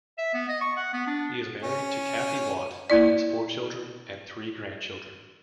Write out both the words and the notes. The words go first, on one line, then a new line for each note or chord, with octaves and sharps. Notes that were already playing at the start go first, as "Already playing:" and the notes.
He is married to Cathy Watt, and has four children, and three grandchildren.
E5
B3
D#5
C#6
F#5
B3
D4
C#4
A#3 E4 D5